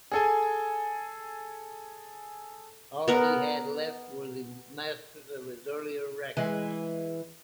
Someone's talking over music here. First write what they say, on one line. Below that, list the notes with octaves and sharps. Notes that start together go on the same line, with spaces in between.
All he had left were the masters of his earlier records.
G#4 A4 G#5
B3 A#4 F#5
E3 G#3